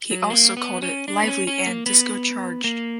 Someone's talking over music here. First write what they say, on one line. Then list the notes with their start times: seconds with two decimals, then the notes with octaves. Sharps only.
He also called it "lively" and "disco charged".
0.11 F#3
0.30 A#3
0.57 B3
0.82 C#4
1.08 D4
1.23 B3
1.27 C#4
1.47 C#4
1.67 A#3
1.86 B3
2.64 A#3